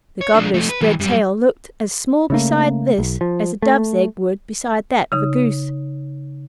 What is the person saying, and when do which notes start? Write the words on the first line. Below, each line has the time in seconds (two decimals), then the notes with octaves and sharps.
The Gobbler's spread tail looked as small beside this as a Dove's egg would beside that of a Goose.
0.21 C#5
0.34 F3 D4
0.54 F3 A3
0.69 B4
0.81 E3 G3
1.00 F#2 G3
2.30 C#3 A3 A#3
2.99 B1
3.21 F3
3.62 A3
5.12 C#3 D#4